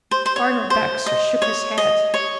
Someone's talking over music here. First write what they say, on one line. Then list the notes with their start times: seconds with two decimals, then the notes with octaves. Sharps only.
Arnold Baxter shook his head.
0.11 C5
0.26 C5
0.36 C#5
0.70 C5
1.06 D#5
1.42 C#5
1.78 D#5
2.14 C#5